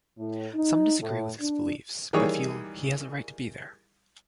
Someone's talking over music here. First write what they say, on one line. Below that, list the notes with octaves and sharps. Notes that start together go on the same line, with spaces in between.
Some disagree with his beliefs, but feel he has a right to be there.
A2
D#4
A2
D4
D#3 E3 G3 A#3 G#4 C#5